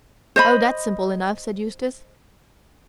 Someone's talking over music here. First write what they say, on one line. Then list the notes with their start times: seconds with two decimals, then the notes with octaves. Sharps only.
"Oh, that's simple enough," said Eustace.
0.36 C5 D#5 B5